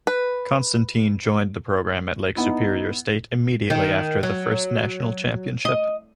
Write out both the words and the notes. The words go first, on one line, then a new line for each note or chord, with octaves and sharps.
Constantin joined the program at Lake Superior State immediately after their first National Championship.
B4
B3 D#4 E4
D#3
F#3
D#5